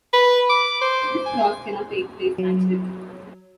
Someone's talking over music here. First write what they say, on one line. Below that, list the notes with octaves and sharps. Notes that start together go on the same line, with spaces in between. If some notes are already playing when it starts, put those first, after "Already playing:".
This cross cannot take place naturally.
B4
D6
C5
G#5
F#3